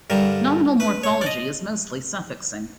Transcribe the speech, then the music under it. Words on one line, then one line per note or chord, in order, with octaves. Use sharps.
Nominal morphology is mostly suffixing.
G2 D3 G3 A#4
B4
C#5
D5
D#5